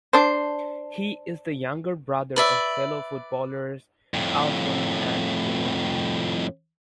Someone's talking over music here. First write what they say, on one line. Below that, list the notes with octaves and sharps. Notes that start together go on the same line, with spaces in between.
He is the younger brother of fellow footballers Alfons and Timothy.
D4 C5
B4 D5 E5
F2 A2